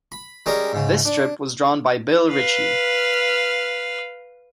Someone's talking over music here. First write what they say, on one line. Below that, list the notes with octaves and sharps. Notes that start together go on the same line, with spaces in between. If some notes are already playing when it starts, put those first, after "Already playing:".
This strip was drawn by Bill Ritchie.
B5
G3 G#3 C#4 A#4 D#6
G#2 C#3
D4
B4 F5